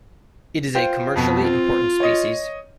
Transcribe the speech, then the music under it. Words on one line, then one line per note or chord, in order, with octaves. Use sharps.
It is a commercially important species.
F4 C5 G5
F2 B2
C4 F4
C#5 D#5